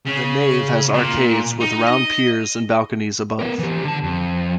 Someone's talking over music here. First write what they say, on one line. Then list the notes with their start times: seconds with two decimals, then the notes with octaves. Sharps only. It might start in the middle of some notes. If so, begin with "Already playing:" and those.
The nave has arcades with round piers and balconies above.
0.06 C#3
0.93 A#2
1.60 D#4
1.86 D#5
3.39 B3 A#4
3.59 E3 G4
3.84 D3 A5
4.04 F2